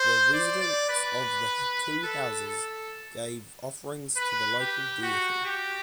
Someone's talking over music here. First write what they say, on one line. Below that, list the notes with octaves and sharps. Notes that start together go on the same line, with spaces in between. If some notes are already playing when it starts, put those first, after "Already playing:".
The residents of the two houses gave offerings to the local deity.
Already playing: C5
D5
D5
B4
A4
A4
B4
G4
F#4
G4